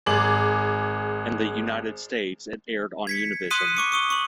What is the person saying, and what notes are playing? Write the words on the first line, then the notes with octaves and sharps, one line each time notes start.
In the United States, it aired on Univision.
G#1 G#4 D6 F#7
G#6 B6 C#7
C6 D#6 F#6 B6 C#7 D#7
C#6 D6 C#7
C#6 D#6 G7
C#6 F#7